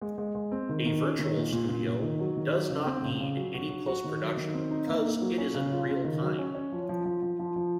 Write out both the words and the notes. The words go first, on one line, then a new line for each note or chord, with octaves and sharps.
A virtual studio does not need any post production because it is in real-time.
G#3
G#3
G#3
C4
D#3
D#3
C#4
D#3
A#2
A#2
A#2
A#2
D#3
F#3
D#3
F#3
C#3
C4
C#3
C#3
F#3
F#4
F#3
F#4
D#3
F#3
D#3
C4
D#4
A#3
A#3
F#3
C#4
C#3
F4
C#3
D#3
F#3
C#4
C#4
F3
F3
F3
F3
F3
F3